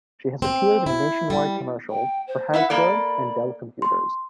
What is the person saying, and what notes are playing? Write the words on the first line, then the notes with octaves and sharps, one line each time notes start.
She has appeared in nationwide commercials for Hasbro and Dell Computers.
C4
E4
G3
G5
C5
E4 B4 E5 F#5
A#3 A4 D5 B5
C6